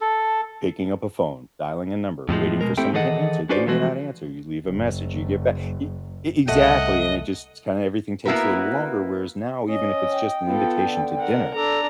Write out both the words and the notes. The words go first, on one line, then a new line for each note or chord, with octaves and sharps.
picking up a phone, dialing a number, waiting for someone to answer, they may not answer, you leave a message, you get back e e exactly, and it just kind of everything takes a little longer, whereas now, even if it's just an invitation to dinner.
A4
F2 A2 F3 G#3
B2 G#3 A#4
A3 C4 E4 G4 A4 G5
D#3 E3 G#4 A4 D#5 F#5
C#4 D4 F#4 B4 C5 D5
E3 F3 G#3 A3 F#4
F#1
C2 A3 D#5 F#5
A#3 B3 E4 F#4 A#4 B4
C#4 D#5
G5
B3 F4 A4
D3
A#4 F#5
D4 A4 A#5